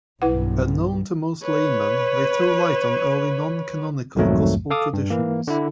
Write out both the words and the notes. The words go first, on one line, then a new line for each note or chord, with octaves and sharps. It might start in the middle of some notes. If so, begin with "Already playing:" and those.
Unknown to most laymen, they throw light on early non-canonical Gospel traditions.
B1 G2 E4 B4 F#5
B4 C#5
B1 F2 G#2 D#3 F#3 A3
A4 F5 D6 D#6
G2
E3 A#3
D3 E4